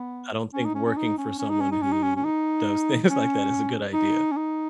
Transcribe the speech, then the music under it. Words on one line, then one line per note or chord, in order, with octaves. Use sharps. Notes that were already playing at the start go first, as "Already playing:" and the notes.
I don't think working for someone who does things like that is a good idea.
Already playing: B3
C#4
D#4
C#4
C#4
D#4
C#4
C#4
D#4
C#4
D#4
C#4
D#4
C#4
C#4
D#4
C#4
D#4
C#4
D#4